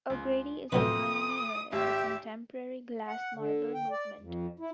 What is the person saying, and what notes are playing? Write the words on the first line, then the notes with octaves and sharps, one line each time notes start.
O'Grady is a pioneer in the contemporary glass marble movement.
C#2
A1 F2 C3 F#3 B4 D#6
G#1 G4 E5
F#5
D3
G5
D5
F2
E4